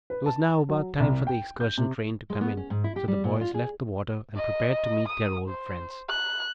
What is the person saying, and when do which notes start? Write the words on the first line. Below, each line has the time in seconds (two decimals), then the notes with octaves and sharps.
It was now about time for the excursion train to come in, so the boys left the water and prepared to meet their old friends.
0.10 B4
0.26 A5
0.69 F#3
1.00 C2
1.27 G5
1.60 G6
1.78 C3
2.30 G#3
2.41 B3
2.57 C#4
2.70 G#2
2.84 E4
2.96 G4
3.08 G3
3.24 A#2
3.41 F4
3.54 G#4
4.36 D#5
5.08 D#6
5.49 C5
6.09 F#6